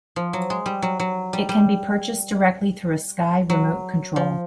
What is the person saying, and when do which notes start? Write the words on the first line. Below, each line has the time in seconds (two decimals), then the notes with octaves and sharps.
It can be purchased directly through a Sky remote control.
0.16 F3
0.33 F#3
0.50 G#3
0.66 G3
0.82 F#3
1.00 F#3
1.33 G3
1.49 G3
3.50 F#3
4.16 F3